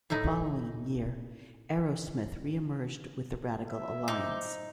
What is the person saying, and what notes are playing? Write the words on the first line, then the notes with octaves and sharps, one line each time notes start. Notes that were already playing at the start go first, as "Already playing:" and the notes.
The following year, Arrowsmith re-emerged with the Radical Alliance.
A2 A3 D#4 E4
E5
D#4 C5 D6